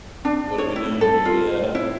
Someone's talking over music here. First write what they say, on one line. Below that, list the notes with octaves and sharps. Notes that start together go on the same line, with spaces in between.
"What are we doing here?" Yeah.
D4
C#5
E4
A4
F4
E4